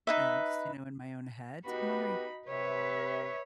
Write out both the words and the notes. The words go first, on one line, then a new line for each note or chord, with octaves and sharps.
and I just, you know, in my own head. So, I'm wondering,
D#4 B4 E5
B3 D#4 F#4 G4 B4 B5
C3 B4 C#5 E5